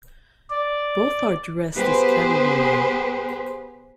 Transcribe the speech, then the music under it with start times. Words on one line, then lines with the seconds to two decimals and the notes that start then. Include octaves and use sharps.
Both are dressed as cavalrymen.
0.50 D5
1.75 B3 G4 G#4 B4 C5